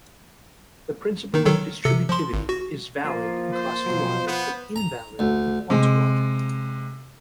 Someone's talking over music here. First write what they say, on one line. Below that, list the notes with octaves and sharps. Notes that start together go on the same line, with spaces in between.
The principle of distributivity is valid in classical logic, but invalid in quantum logic.
D#3 D#4
D#3 F#3 A4
C3 A4 C#7
F3 C6
G#1
F#4
F3 A#3 F4
C5
B2 F3 F#3
B3 B4 C5
A#5
D2
C3 G#3